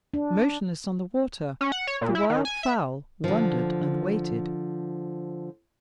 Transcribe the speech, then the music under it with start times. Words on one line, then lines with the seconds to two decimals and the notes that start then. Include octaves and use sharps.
Motionless on the water, the wild fowl wondered and waited.
0.14 D4
1.61 C#4
1.72 F#5
1.87 C#5
2.01 A#2
2.15 E4
2.30 D#3
2.45 G#5
2.63 E5
3.24 D3 F3